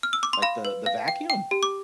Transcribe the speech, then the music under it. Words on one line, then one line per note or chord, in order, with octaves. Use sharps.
Like the the vacuum?
F6
E6
D6
C6
F5 B5
B4
F5
G5
G5
G4
D6